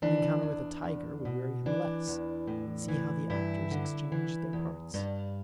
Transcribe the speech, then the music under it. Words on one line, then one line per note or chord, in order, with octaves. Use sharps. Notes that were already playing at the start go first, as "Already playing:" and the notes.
An encounter with a tiger would weary him less; see how the actors exchange their parts.
E3 D4
E2
E2
B2
E3 D4
E2
A2
E3
G2 E4
D3
E3
E2
G2